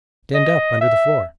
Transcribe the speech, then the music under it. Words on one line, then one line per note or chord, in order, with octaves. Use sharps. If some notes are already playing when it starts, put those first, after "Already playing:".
"Denned up, under the floor!"
D#5
E5